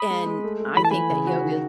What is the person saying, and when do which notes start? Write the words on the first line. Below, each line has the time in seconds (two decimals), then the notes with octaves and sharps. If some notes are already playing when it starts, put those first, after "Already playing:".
and I think that yoga
Already playing: B5 D#6
0.10 G#3
0.26 G#3
0.44 A3
0.60 A3
0.76 E3 B5
0.85 A5
0.91 E3 G#5 B5
1.10 C#3
1.27 F#4
1.43 D#3